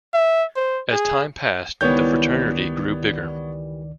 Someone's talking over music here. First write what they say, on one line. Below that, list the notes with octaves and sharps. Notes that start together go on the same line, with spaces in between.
As time passed the fraternity grew bigger.
E5
C5
G#4
C#2 D#3 E3 G3 B3 C#5 D5 G6